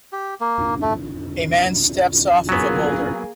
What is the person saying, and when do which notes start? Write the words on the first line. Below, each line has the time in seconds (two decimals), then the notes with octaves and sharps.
A man steps off of a boulder.
0.12 G4
0.41 A#3
0.82 A3
2.49 F#3 A#3 B3 G#4